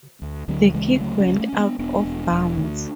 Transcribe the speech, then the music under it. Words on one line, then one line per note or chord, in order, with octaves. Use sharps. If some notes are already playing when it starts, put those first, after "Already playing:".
The kick went out of bounds.
D2
D2 D3 F#3
C#3 E3 G#3
D2 F#3 A3
A3 C#4
D2
A3 C#4
D2
B3 D4
E1 B3 D4
E1
E1
D2